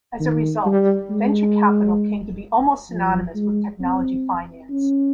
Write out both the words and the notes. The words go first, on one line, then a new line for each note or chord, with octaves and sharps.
As a result, venture capital came to be almost synonymous with technology finance.
D#3
G3
G#3
F3
G#3
C4
C#4